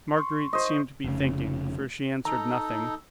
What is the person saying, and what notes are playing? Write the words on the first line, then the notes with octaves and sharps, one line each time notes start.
Marguerite seemed to be thinking, for she answered nothing.
C6 C#6
C5 D#5 C#6
F1 C#3
D#4 A4 A#5